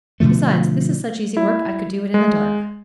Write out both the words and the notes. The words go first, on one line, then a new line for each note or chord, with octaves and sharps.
"Besides, this is such easy work I could do it in the dark."
B2 D3 F3 A3
E4
G#3